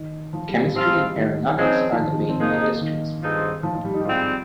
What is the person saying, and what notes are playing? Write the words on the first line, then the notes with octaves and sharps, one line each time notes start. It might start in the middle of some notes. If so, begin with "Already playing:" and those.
Chemistry and aeronautics are the main industries.
Already playing: D#3
F3
G3
F3
F3
F3 G3 C4 F4
G#3
G3
D#3
C#3 F3 G#3 C4 D#4
F3
D#3
D#3
F3
C4
F3 G#3 A#3 D#4
D#3
G2 F3 G#3 C4 D#4
F3
F3
G3
D#4
G4
G#2 G3 C4 F4